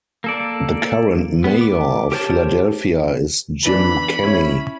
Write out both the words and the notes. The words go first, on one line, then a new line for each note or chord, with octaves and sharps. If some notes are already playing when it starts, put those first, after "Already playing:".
The current Mayor of Philadelphia is Jim Kenney.
A#3 A4 D5
B3
D6
G4 A#4 C5 C#5 A5
E3 B3 D4 B5
C#4 E4 C#5